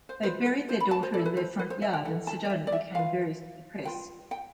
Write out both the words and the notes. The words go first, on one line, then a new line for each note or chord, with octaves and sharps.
They buried their daughter in their front yard and Sedona became very depressed.
C5
F4 B4 C5
B4
C5
B5
A5
C5
E4 A4 D5
B4
C5
B4
C5
E5
G5
E4 A4 G5
A5
D5
E5
D5
E5
F4 B4 F5
F4 B4 G5
G5